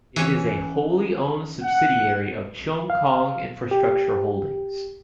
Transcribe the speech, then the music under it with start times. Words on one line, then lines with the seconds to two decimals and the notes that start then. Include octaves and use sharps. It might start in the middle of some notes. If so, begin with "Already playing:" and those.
It is a wholly owned subsidiary of Cheung Kong Infrastructure Holdings.
0.16 E3 C#4
1.62 F#5
2.90 F5
3.71 G4